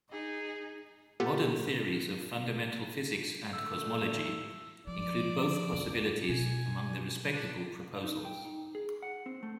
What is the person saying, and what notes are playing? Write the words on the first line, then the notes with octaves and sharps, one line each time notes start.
Modern theories of fundamental physics and cosmology include both possibilities among the respectable proposals.
D#4 G#4
B3 F4 G4 A4
D3 A3 E6
F3 D5
F2
B2 G#5
D4
D#4
G5
D#4
G#4
F#5
C4
A3